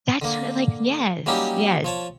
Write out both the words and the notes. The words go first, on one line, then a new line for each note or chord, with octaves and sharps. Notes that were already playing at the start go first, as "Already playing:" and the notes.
That's what like, yes. Yes.
D3 A#3
F#3 G3 A#3 C#4 D#4 G4
F3 C#5 A5